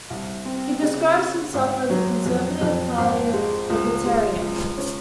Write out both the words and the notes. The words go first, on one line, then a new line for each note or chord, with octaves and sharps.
He describes himself as a conservative-paleo-libertarian.
C2
C4
C#3
F#4
G#1
F#3
F2
F2
G#1
G#3
C#2
G#3
C#2
C#4